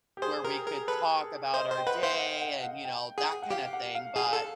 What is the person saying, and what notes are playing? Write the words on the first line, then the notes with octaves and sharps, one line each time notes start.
where we could talk about our day and, you know, that kinda thing, but
G4
G#4 C5
G4 A#4
G#4 A#4
A4 B4
A#4
C5 D#5
C5
G5
B4 F#5
E5
C5 F5
F#5
F#5
F#5
G5
G#4 F#5
F#5
G4 F5
F#5
F5
G#4
A4